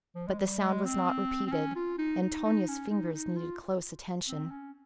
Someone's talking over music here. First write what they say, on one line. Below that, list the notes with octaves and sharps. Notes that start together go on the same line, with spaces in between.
But the sound was not repeated; and Tonia's fingers needed close attention.
F3
G#3
G3
G#3
C4
C4
C#4
F4
D#4
D#4
D#4
C#4
D#4
D#4
F4
C4
C#4